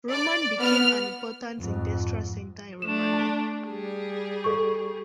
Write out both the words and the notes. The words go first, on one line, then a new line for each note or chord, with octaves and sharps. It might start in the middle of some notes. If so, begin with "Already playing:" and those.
Roman became an important industrial center in Romania.
D5
B3 F6
F2 G#2
A3 D4 E7
A5
G3 G#4
A4 C#6